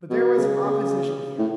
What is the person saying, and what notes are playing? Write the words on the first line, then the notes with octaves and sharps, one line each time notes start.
But there was an opposition here.
B2
C#3
C#3
A2